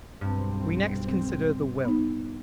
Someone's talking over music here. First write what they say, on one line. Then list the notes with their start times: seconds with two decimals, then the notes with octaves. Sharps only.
We next consider the will.
0.21 B1 G2 C4
1.85 B3 D#4